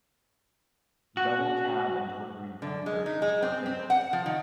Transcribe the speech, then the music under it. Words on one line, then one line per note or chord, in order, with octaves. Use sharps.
Double cab and delivery van versions were available.
F#4
D3
G#3
D#4
G#3
C4
C4
F#5
F3
D#3